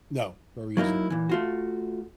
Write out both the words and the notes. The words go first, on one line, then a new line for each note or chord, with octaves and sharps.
No, very easy,
F#3 A#3 D#4 E4
A#2 E3
A3 F4 F#4